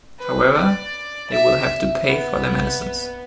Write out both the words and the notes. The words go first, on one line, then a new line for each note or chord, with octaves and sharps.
However, they will have to pay for their medicines.
B4
D5
E5
B3